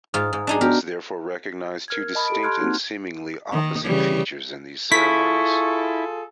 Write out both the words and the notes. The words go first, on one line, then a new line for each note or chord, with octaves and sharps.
We must therefore recognize two distinct and seemingly opposite features in these ceremonies.
G#2 F4 D#6
G#2
D4 D#4 G#4
B3 D4 F#4 G4 A#4
A#4 F6 G#6
D#5 A5 B5 D#6
G4 A4 D7
A5 A#5 C6 F6 F#6 G#6
A#3 C4 D#4 F#4
D#3
C#3 E3 G3
E4 F4 G#4 A4 C#6 B6